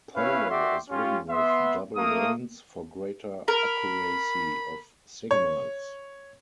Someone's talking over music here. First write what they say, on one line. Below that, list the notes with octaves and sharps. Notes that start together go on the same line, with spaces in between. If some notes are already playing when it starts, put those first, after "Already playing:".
Polo is ridden with double reins for greater accuracy of signals.
C#4 E4 B4 C#5 E5 F5
F#4 D5 E5 G5 C6 D6
C#4 F4 G4
B3 E5 C6
A3 A#3 D#6
A#4 B5
C#5